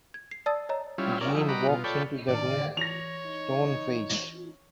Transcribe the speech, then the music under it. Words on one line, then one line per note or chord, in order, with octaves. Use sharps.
Jean walks into the room, stone-faced.
G#6
C7
D5 A5 D#6 E6 A6
C#5 D#5 A#5
G3 C#4 E4 F4
C#4 A#4 D5
F3 D#4 E4
G3 F#4 D#5 A#5 B5 D6
B2 F4
F4 A4 C#5 D5 G5 B5
A2 D#3 G4 D5 F6
E3 C#5 A#6 F7
D#4